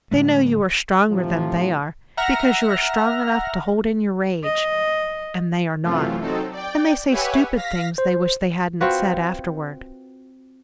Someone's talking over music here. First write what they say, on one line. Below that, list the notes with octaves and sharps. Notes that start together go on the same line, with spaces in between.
They know you are stronger than they are, because you are strong enough to hold in your rage and they are not, and they say stupid things they wish they hadn't said afterward.
A2 D3 G#3 A3
A2 C3 F3
E5 F#5 A#5 F6 A#6
D#5
F#2 C3 E3 A3 F4
F#3 C4 D#4 A4
D5 G5
G4 B4 C#5 E5 F#5 G#5
F5 A#6 B6
C5
C4 F4 F#4 B4